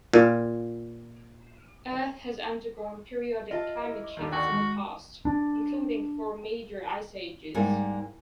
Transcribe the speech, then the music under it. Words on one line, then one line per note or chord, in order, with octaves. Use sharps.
Earth has undergone periodic climate shifts in the past, including four major ice ages.
A#2 F4
F4 D#5 E5 A5
E4 A#4 E5
D#2 D3
F#4 D5 F#5 G5
G#3
D4
G#2 G3 A#3 G#5